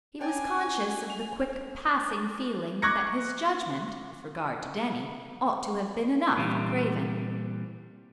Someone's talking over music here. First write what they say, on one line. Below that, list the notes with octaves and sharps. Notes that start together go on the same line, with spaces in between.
He was conscious of the quick passing feeling that his judgment, with regard to Denny, ought to have been enough for Craven.
C#4 D4 G5 G#5
F7
C#6 D6 F#6 G#6 A#6 C#7
A#2 E3 G3 C4